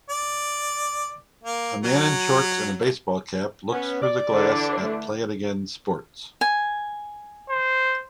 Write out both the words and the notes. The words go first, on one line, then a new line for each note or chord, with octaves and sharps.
A man in shorts and a baseball cap looks through the glass at Play It Again Sports.
D5
A#3
F#3
B3 C#4
D5
D3 E3 D4
A3
G#5
C5